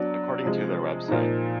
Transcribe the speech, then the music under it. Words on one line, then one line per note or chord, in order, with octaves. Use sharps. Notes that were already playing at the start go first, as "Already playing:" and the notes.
According to their website.
Already playing: F#3 B3 D4
C3 F3 G#3
A#2 F3 A#3 D#4